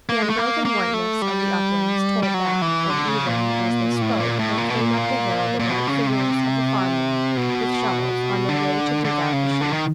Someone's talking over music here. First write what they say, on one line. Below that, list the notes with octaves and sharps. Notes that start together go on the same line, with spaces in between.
The unbroken whiteness of the uplands told that, and, even as they spoke, there came up the hill the dark figures of the farm men with shovels, on their way to dig out the sheep.
A#3
G#3
A3
A#3
A#3
A3
G3
G3
F#3
E3
D3
C#3
A#2
A2
A#2
A2
A#2
B2
A#2
A#2
B2
C#3
C3
B2
D3
D3
C#3
D3
D#3